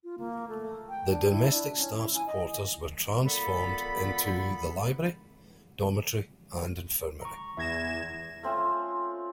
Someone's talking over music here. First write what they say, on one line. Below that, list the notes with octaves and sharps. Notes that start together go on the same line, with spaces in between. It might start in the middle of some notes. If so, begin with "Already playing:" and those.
The domestic staff's quarters were transformed into the library, dormitory and infirmary.
F4
A#3
A3
G5
D4
E4
D4
C#4
E4
G#5
D#5
A#2 B3 A4 B5
A#5 C#6
E2 E5 G#6 A#6 E7
A3 C4 C#4 F4